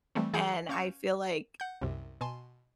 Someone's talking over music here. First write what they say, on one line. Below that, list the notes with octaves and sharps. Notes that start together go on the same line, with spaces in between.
and I feel like
E3 G3 A3 C4
E3 G#4 G#5 A#5 D#6 G6
C#4 F5 C#6 G6 C#7 E7
F#5 G6
C2 F#2 C3
B2 G#5 A5 C6